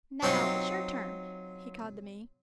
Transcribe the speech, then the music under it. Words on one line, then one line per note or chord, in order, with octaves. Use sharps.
"Now, it's your turn," he called to me.
F#3 C4 D#4 F4